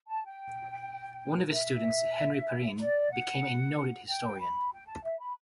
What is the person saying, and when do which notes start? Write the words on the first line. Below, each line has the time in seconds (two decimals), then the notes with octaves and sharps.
One of his students, Henri Pirenne, became a noted historian.
0.08 A5
0.25 G5
1.53 E5
2.80 D5
3.13 F#5
4.09 G5
4.41 B5
4.73 G5
4.88 A5
5.04 E5
5.20 B5